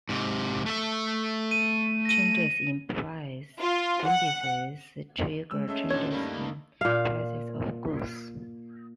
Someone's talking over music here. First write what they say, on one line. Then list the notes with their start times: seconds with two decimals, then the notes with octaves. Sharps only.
Changes in price indices trigger changes in prices of goods.
0.09 G#2 C3
0.66 A3 E5
1.51 D#7
2.05 A#6 D#7
3.61 F4
4.07 F#5
5.51 G#3 E6
5.68 G#3 A3 C#4 E5
5.91 A#2 D3 A3 D#4 C#5
6.12 G2 D#3 G3 A3 A#3
6.81 A#2 F5